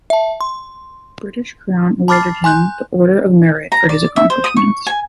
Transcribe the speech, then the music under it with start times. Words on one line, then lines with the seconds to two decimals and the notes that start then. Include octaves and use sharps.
The British Crown awarded him the Order of Merit for his accomplishments.
0.10 E5 A5
0.41 C6
2.08 A5 B5 D6 F6 A6 C7
2.44 G#5 C6 F#6 G6
3.72 A#5
3.89 D5
4.16 E5
4.30 C5
4.44 D#6
4.57 C#6
4.86 G#5